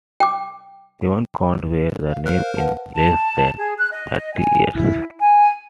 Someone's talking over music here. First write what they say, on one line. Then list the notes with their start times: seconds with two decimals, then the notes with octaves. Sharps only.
Seven Counts were named in less than thirty years.
0.20 G5 D6
2.08 F5
2.26 A#4 C5 F5 F6 F#6
2.57 B4 F5 F#5 A5
2.94 A5
3.57 G#4
3.78 F#6
3.91 D#5
4.33 G#5
4.74 E4
5.19 G#5